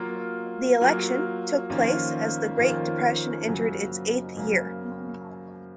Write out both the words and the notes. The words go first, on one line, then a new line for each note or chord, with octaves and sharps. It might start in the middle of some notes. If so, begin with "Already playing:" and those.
The election took place as the Great Depression entered its eighth year.
Already playing: F#3 A#3 F4
F#3 A#3 F4
F2 D#3 A#3 C#4 F4
F2 D#3 A#3 C#4 F4
F#2 C#3 F#3 A#3
F#2 C#3 F#3 A#3